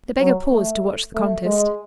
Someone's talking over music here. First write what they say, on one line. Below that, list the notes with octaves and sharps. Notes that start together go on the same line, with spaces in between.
The beggar paused to watch the contest.
F#3
A3
A3
G#3